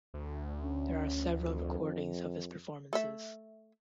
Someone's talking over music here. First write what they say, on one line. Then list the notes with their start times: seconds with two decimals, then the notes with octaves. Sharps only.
There are several recordings of his performances.
0.14 D2
0.61 C#4
1.42 F2
2.93 A3 E5